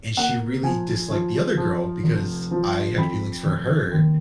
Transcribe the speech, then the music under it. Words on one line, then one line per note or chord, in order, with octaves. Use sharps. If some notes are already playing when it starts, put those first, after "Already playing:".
and she really disliked the other girl because I had feelings for her
A#3 F#5
F3 G#5
F3
F3
F1
F3
F2 B5
F1
D#2